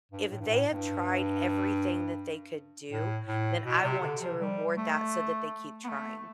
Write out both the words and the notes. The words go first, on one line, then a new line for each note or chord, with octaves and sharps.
if they have tried everything that they could do, then I want to reward that so that they keep trying.
G2
A2
G2
A2
G2
A2
A2
B2
C3
D3
F3
G3
A3
B3
A3